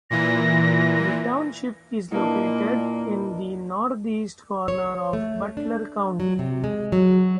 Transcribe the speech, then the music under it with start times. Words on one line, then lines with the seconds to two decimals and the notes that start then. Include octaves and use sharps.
The township is located in the northeast corner of Butler County.
0.10 A#2 E3 A#6
2.12 A#2 A#3 D4 E4 B4 D#5
4.68 C#5
5.13 A3
5.57 D4
6.20 F#3
6.39 C3
6.64 G#3
6.92 F#3